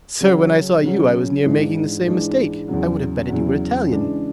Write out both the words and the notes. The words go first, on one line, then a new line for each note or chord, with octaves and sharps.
"Sir, when I saw you, I was near making the same mistake; I would have betted you were Italian."
C#3 F#3 C#4
C#3 F#3 C#4
G#2 E3 G#3 D4
G#2 E3 G#3 D4
E2 C#3 F#3
E2 C#3 F#3
C#3 E3 G#3 D4